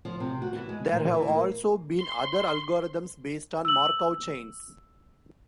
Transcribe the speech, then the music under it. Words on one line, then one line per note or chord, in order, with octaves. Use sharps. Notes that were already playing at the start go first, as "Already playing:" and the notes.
There have also been other algorithms based on Markov chains.
F3
C3
F#4
E3
G#3
A#2
E3
A#3
C6
E6 F#7